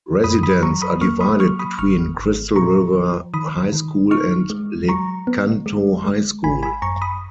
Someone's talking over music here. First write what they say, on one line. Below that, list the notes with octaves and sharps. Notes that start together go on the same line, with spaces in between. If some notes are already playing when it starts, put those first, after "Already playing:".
Residents are divided between Crystal River High School and Lecanto High School.
F#2 B5 D#6
B5 D#6
F#3 A#5 C#6
B5 D#6
A#3 C#6 F6
B5 D#6
F#3 C#6 F6
B5 D#6
G#1 C#6 F6
G#1
A#2 A#5 C#6
F3
D#3 B5 D#6
D#3
D#4 C#6 F6
G#3
F#3 A#5 C#6
B3
G#3
G#3
G#1 G#5 B5
G#5 B5
F#2 A#5 C#6
B5 D#6